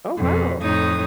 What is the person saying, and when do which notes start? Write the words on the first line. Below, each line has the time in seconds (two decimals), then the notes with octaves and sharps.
Oh, wow.
0.17 F2 B2
0.61 F2 A2 D#4 C#5 D#6